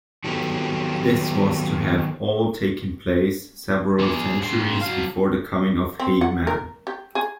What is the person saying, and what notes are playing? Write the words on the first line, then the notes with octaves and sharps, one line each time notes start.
This was to have all taken place several centuries before the coming of He-Man.
D#3 F#3 B3 G4 A4
G#4 D5
G2 C6
F#3 F5
C4
F#5
A#4
G4
G#4